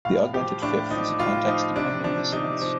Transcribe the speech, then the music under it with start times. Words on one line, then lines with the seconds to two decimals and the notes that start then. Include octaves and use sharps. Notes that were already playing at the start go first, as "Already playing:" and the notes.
The augmented fifth is a context-dependent dissonance.
0.05 A2 F5
0.33 F3 G4
0.62 A2 D4
0.91 F3 D#4
1.20 A2 F4
1.47 F3 D#4
1.76 C3 D4
2.04 F3 D4
2.32 C3 D#4
2.62 F3